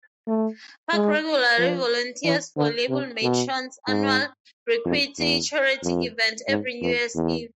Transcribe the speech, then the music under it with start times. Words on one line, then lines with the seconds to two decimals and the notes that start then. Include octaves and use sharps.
Park regularly volunteers for label-mate Sean's annual briquette charity event every New Year's Eve.
0.27 A3
0.93 G#3
1.58 F3
2.24 E3
2.56 D3
2.89 C3
3.22 B2
3.87 G#2
4.85 F2
5.18 E2
5.83 F2
6.49 G#2
6.81 F2
7.15 E2